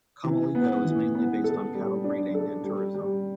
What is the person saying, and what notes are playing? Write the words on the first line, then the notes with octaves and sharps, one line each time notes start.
Comelico is mainly based on cattle-breeding and tourism.
E3
B3
E3
B3
A4
G3
D4
A4
G3
G3